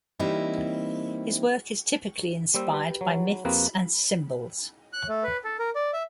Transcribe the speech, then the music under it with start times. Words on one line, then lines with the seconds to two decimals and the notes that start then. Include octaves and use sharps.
His work is typically inspired by myths and symbols.
0.19 E3 G3 A#3 C4 D#4 E4
2.54 G3 A#3 C5 E6
2.73 G4 B4
3.01 F#3
3.45 F2 A#3 C4 G4 B4 F#6
4.93 F#6
5.08 A3
5.24 B4
5.44 A4
5.59 A#4
5.75 D5
5.93 E5